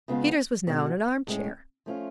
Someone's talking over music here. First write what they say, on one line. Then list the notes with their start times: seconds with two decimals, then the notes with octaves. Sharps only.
Peters was now in an arm-chair.
0.08 C#3 G#3 B3 F4
0.67 B2 G#3 D4 F#4
1.27 A2 G#3 C#4
1.86 F3 A3 C#4 F4